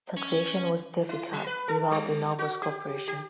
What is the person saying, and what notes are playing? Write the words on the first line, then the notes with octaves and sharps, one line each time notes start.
Taxation was difficult without the nobles' cooperation.
C#4
E4
F#3
B4
A4
G3
F#4
G4
G4